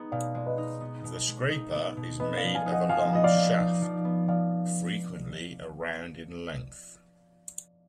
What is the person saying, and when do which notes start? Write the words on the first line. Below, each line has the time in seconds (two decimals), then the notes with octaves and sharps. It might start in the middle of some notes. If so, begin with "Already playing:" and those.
The scraper is made of a long shaft, frequently around in length.
Already playing: G#3 B3 D#4
0.12 B2 D5 F5
0.35 G#3 D5
0.46 B4 D#5
0.58 D#4
0.81 B3
1.04 B2
1.28 G#3
1.50 D#4
1.74 B3
1.97 B2
2.20 B3 B4 D#5
2.37 D5 F5
2.43 F3
2.55 F5 G#5
2.66 D#4
2.72 D#5 F#5
2.89 F3 F5 G#5
3.13 B3 D#5
3.24 D5 F5
3.35 F3
3.59 D#4
3.82 F3
4.05 B3
4.28 F3 D5 F5